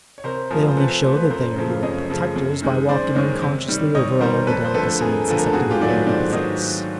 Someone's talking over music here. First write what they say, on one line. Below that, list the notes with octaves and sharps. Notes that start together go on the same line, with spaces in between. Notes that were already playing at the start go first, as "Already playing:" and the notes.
They only show that they are your protectors by walking unconsciously over all the delicacy and susceptibility you possess.
C#5
C3 A#4 C5
F3 A3 G#4 A#4
C5
C3 A4 B4
F3 A3 C5
B4
F#2 A#4 C5
C#3 F3 A3
F#2 C#5 D#5
C#3 F3 A3
F#2
D#3 G#3
F#2 C5 D5
D#3 G#3 C#5 D#5
C3
D#3 G3
C3 C#5 D#5
D#3 G3 A#4 C5
F2 A4 B4
C5
D3 F3 A3 A4 B4
F2 G#4 A#4
D3 F3 A3 B4
A#4
A4
G#2 F#4 G#4
F4 G4
D#3 F#3 A3 B4 C#5 D5
G#2 C5 D5
D#3 F#3 C#5 D#5